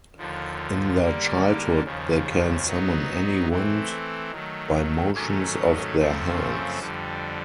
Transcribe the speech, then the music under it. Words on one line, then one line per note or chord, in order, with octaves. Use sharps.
In their childhood they can summon any wind by motions of their hands.
D#2 D3 F3
D3 G3 A#3 D4
D#2 C#3 F3
F#3 B3 D#4
E3 A3 C4
D#3 F#3 A3
G#2 D#3 F#3 A3 C#4
F#2 C#3 F3 A3 C4
F2 D3 G3